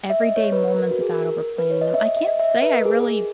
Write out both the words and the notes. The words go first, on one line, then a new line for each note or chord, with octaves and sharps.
Everyday moments without overplanning them, I can't say I really
E5
D#5
C#5
B4
B4
A#4
F#4
G#4
A#4
B4
C#5
D#5
E5
D#5
E5
D#5
E5
D#5
B4
A#4
G#4